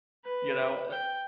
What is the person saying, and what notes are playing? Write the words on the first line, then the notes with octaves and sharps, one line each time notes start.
you know, uh
B4
G5